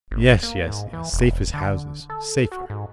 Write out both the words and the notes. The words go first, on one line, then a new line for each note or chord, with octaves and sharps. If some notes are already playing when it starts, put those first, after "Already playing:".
"Yes, yes, yes; safe as houses--safer."
G1
A#3
G#2
E3
E1
D3
A4
F#4
G#2